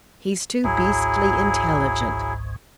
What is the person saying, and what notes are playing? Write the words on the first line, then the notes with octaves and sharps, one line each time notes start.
He's too beastly intelligent.
G#1 C#2 G#2 F#3 E4 G#4